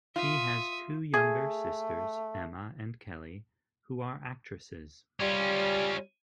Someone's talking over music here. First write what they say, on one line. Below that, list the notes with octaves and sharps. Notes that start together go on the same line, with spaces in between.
He has two younger sisters, Emma and Kelly, who are actresses.
F4 E5 D#6
A3 G#4
G3 C#4 F4